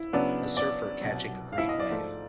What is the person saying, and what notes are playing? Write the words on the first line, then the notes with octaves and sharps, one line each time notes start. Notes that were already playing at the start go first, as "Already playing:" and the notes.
A surfer catching a green wave.
Already playing: E4
C#3 F#3 B3 D4
D5
C2 B2 F#3
F5
E4 E5
D#5
D5
G#2 F3 A3